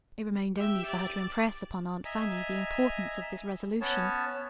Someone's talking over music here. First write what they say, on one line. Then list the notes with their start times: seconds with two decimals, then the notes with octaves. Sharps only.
It remained only for her to impress upon Aunt Fanny the importance of this resolution.
0.56 G4 E5
0.88 D5
2.05 D#5 E5 G#5 A#5
3.81 B3 C#4 C#5 A5